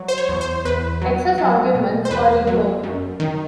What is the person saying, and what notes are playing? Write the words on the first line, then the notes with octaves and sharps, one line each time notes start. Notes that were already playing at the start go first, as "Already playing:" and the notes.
Excess arguments are ignored.
Already playing: F#3
C5
C#5
E2
C5
E2 B4
F#3
F#3
B2
C5
E2 B4
F#3
F#2
D#3